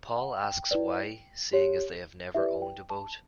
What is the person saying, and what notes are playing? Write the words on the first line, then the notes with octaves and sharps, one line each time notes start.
Paul asks why, seeing as they have never owned a boat.
F#5
G5
E4 B4 D5
G4 C#5
E4 G4 B4 D5 E5
G5
A5